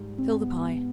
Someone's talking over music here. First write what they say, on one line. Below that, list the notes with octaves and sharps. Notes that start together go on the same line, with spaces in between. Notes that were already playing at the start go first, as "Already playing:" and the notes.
Fill the pie.
Already playing: G#2 G3
C4
B3